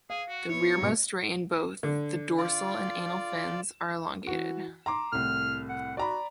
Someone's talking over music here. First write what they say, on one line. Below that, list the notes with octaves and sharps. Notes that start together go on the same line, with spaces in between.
The rearmost ray in both the dorsal and anal fins are elongated.
G#4 F5
F#4
B3 E4 C#5
G2 B2
D3
F4 D5
E3 F#4
A#5 C6 D6
C2 A2 F6
F#5
F#4 D5 A#5 B5